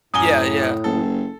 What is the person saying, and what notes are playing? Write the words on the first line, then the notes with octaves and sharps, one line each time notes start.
Yeah, yeah.
F#2 A2 G#5 D#6 G7
F#1 A4